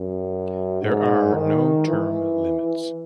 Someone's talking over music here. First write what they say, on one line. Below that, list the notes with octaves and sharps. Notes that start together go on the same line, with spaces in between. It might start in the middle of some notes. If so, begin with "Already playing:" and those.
There are no term limits.
Already playing: F#2
G#2
D#3
E3